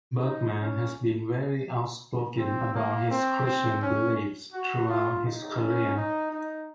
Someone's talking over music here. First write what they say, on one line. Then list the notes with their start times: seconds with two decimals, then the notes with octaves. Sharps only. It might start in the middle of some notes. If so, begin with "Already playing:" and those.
Berkman has been very outspoken about his Christian beliefs throughout his career.
0.24 D#4
0.59 C#4
2.38 C4
2.74 A#3
3.10 C4
3.45 C4
3.81 C#4
4.52 F#4
4.88 F4
5.24 D#4
5.60 C#4
5.96 D#4
6.31 D#4